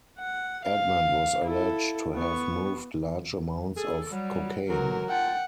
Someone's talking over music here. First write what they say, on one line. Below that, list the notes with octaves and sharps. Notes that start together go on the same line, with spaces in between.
Edmond was alleged to have moved large amounts of cocaine.
F#5
F5
E4 A4
B3 C#6
G#4 A4
F#3 G3
D3 E3 F#3 F#4 A#4
F4 F#5 G5 A5